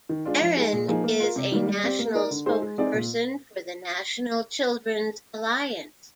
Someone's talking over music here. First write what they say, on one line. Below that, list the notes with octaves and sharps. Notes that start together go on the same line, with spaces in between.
Erin is a national spokesperson for the National Children's Alliance.
D#3
G#3 D4 F4
F3
G#3 D#4 G#4
A#2
F3 A#3 D#4 G#4
A#3
F4 A#4
C3
D#3 G3 A#3
G3
C4 G4 D5
A#3
D#4 A#4 D5
D3
G#3 D#4 G#4 C5
G#3
C4 D#4 G#4 D5
A#2